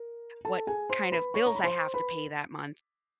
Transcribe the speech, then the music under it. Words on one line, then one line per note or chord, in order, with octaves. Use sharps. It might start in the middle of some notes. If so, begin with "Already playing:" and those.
what kind of bills I have to pay that month,
Already playing: A#4
A4 A5
G#4 G#5
C5 C6
B4 B5
C#5 C#6
A#5
B5
C5 C6
B4 B5